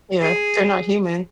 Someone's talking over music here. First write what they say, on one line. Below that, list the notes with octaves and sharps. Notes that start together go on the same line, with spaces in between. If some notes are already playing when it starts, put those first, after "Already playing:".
Yeah, they're not human.
G#4